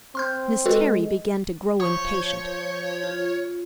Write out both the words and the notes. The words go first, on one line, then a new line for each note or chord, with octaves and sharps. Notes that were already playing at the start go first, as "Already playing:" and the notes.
Miss Terry began to grow impatient.
C4 C6 F6 G6
G#3 F#4 A4 B4
F3 C#5 G6
F4